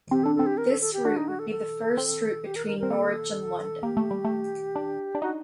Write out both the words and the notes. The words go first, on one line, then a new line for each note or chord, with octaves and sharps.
This route would be the first route between Norwich and London.
C4 G4
D4 A4
C4 A4
G4
A#4
A4
A4
G4
D4 F#4
D#4
F#4
A4
A4
C4
G4
A#4
A#4
C4 A#4
A#3 A4
A#3 G4
A3
G3
A3
D4
D4
D#4 F#4